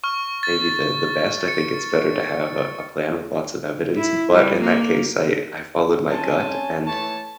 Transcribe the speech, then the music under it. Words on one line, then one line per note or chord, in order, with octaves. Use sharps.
maybe the the best. I think it's better to have a a plan with lots of evidence, but in that case, I I followed my gut and
C#6 F6
A6
C#7
E4
G3
A#3
C4 C#4 G#5 A5
E3 A3 C#5 A5